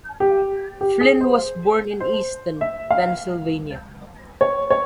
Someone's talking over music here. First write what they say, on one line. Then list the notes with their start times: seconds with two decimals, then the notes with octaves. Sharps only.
Flynn was born in Easton, Pennsylvania.
0.20 G4
0.81 G4
1.01 G#4
1.21 C5
2.00 C5
2.61 E5
2.91 F5
4.41 C#5
4.70 C#5